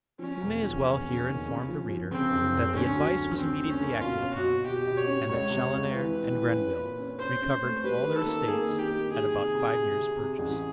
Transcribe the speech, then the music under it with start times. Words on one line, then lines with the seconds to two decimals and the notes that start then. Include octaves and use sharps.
We may as well here inform the reader that the advice was immediately acted upon, and that Chaloner and Grenville recovered all their estates at about five years' purchase.
0.19 F3 C#4
0.41 E1
0.62 F3
0.83 E1
1.05 C#3
1.26 D#2
1.47 C#3
1.68 F3
1.89 F3
2.11 C#3 C4
2.32 F#1
2.54 F#1
2.74 D2 C#4
2.95 F#3
3.16 D3
3.38 D3 C4
3.60 D2
3.70 C#4
3.80 A#3
4.01 B2 F4
4.22 C#4
4.34 F#4
4.44 B2
4.65 B2 G4
4.87 B2
4.97 C#5
5.07 C#4
5.29 C#2 C#5
5.50 C3
5.72 C#2
5.92 E3 B4
6.14 E3
6.35 E3
6.57 C#4
6.78 A#2
6.99 C#4
7.20 C#4 C5
7.42 C#4
7.63 A3
7.84 G3 B4
8.05 D#3
8.16 A4
8.26 A#3
8.48 A#3 G#4
8.69 D#3
8.79 G4
8.90 A#3
9.11 D#3 G#4
9.32 C3
9.53 C3
9.75 C3
9.96 C3
10.17 C3
10.38 A1 G#4